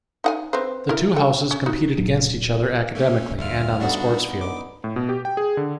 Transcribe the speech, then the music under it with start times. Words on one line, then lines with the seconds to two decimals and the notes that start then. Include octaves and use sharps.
The two houses competed against each other academically and on the sports field.
0.24 D#4 F#5 G#5
0.53 C4 B4 C5
0.89 E4 A#4
1.16 A4 G5
1.51 C#4
1.66 D#4 F#4
1.98 D1 A#2 F#3
2.95 A3 A#3 C#4
3.38 D2 G2 F4 E5 F6
3.80 D3 G3 B3 D4 D#4 F#4
4.41 D#4 D6
4.84 A2
4.96 B2
5.09 G4
5.25 G5
5.37 G#4
5.57 D3